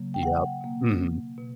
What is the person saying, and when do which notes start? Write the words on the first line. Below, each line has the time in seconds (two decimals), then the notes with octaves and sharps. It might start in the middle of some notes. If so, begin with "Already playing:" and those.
Yup. Mhm.
Already playing: C#3 F#3 A#3
0.14 G5
0.23 F#5
0.61 B2 A#3
1.38 B2